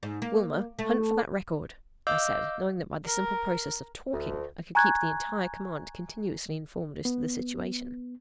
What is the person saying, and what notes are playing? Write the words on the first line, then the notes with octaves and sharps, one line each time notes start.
"Wilma, hunt for that record," I said, knowing that by the simple process of talking I could keep the entire command continuously informed as to the situation.
G#2
A#3
A3
D#5 F5 D6 E6 G6
A#4
D2
G#5 A#5 C#6 F#6 G#6
B3